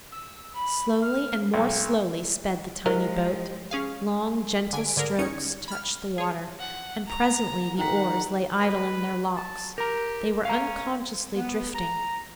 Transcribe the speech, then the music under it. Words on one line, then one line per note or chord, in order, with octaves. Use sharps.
Slowly and more slowly sped the tiny boat; long gentle strokes touched the water; and presently the oars lay idle in their locks,--they were unconsciously drifting.
E6
B5
F6
B1
F3 G#3 E4 G4 A#4 C5 D#5 F5
C#4 G#4 F5
D3 G#5 D7
G#2 D3 G#4 A#4
E2 C#4 D#4 G#6 C#7
B5 F6
G#4 C#5
F#5
A#5
D#3 F#5 G5 A#5 B6
B4
A5
G4 A#4 A#5
C#4 F5 A#5
B3
A#5